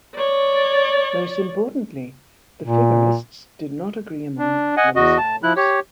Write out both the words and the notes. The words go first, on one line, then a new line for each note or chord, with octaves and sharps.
Most importantly, the Figurists did not agree among themselves.
C#5 D5
A#2
D4
D#5 F#5 G#5
E2 F#4 D#5
A5
F3 E4 F#6
G4 C#5